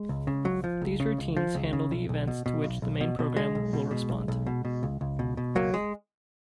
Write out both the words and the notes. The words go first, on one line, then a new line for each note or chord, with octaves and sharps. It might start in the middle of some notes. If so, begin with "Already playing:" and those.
These routines handle the events to which the main program will respond.
Already playing: G#3
C#2
C#3
C#2 F#3
F3
C#2
C#3
C#2
F3
C#2
C#3
B1
B1
B2
B2
B1
B1
B2
B2
B1 G#3
B1
B2
B2
B1
B1
B2
B2
C#2
C#2
B2
B2
C#2 F#3 A#3
G#3